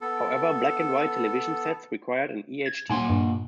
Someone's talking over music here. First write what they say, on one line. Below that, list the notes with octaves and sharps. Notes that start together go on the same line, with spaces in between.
However, black and white television sets required an e.h.t.
B3 A4
G#6
A#2 F#5 G#5 C6
G2